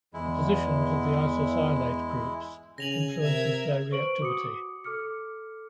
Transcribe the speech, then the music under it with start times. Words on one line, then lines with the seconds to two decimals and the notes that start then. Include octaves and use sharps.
The positions of the isocyanate groups influences their reactivity.
0.14 E2 G#3 E4
2.78 C#3 G#5 A#6 F7 F#7
3.21 C3 A#4 E5 G#6
3.91 B4 C5 C#6 D7 F#7
4.21 F#4 D6 D#6 C#7
4.84 A4 D6 F6 C#7